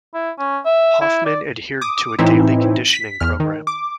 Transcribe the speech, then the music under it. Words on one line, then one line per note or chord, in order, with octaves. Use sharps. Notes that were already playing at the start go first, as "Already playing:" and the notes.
Hoffman adhered to a daily conditioning program.
E4
C#4
E5
E4
D5
D6 D#6
A2 E3 C4 D#4 E4
B6
E2 F6
D#3
D6